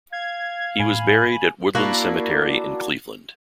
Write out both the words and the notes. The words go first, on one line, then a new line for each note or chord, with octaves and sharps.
He was buried at Woodland Cemetery in Cleveland.
F5 G#6
A2 G#5 B5
A#3 D4 E4 F#4